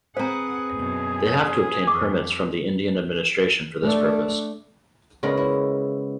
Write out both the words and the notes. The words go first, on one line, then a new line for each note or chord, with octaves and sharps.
They have to obtain permits from the Indian administration for this purpose.
C4 G#4 B4 C5 F#5 A#5
F#2 B2
B3 C#5
F2 C#6 D6
A3 D4
C#3 G#3 B3 A#4
E4